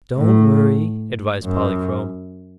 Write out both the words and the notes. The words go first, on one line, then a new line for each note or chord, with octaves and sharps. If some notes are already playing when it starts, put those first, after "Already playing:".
"Don't worry," advised Polychrome.
A2
F#2